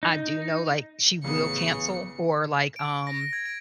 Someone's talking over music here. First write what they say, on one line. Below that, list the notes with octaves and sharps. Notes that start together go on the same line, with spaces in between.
I do know, like she will cancel or like, um,
D#4
A1 C#3 B3 D#6 C#7
D7
A#6
A#6
G#6
D7